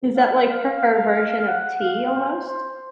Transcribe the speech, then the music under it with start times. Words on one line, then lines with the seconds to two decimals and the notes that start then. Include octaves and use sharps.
Is that like her version of tea almost?
0.16 F5
0.49 F5
1.48 F#5
1.81 F5
2.15 C5
2.48 C5